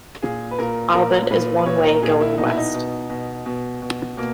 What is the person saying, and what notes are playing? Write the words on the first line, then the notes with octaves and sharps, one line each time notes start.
Albert is one way going west.
A#2 G#4
B4
A#2 A#4
A#2 A#4
A#2 B4
B4
A#2 C#5
A#4
A#2 G#4
E4
B2 D#4
E4
D#4
B2
B2
B2
B2
B2 A#3